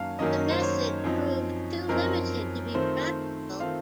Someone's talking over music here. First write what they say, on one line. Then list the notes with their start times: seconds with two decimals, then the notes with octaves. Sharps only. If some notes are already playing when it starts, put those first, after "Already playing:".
The method proved too limited to be practical.
Already playing: F#2 D#3 F#3 A#3 C#4 F5 A5
0.19 F#2 D#3 F#3 A#3 C#4 D#5
0.51 C5
0.62 C#5
1.04 F#2 F3 C4 D#4
1.89 F#2 F3 C4 D#4 A#4
2.74 D#3 A3 C4 F4 C5
3.60 D#3 A3 C4 F4 F5